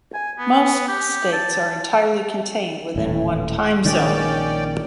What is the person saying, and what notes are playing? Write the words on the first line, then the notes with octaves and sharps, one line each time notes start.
Most states are entirely contained within one time zone.
G#5
B3
G4
A5
D#1 A2
A#1 D#3 G#3 C#4 D5 G5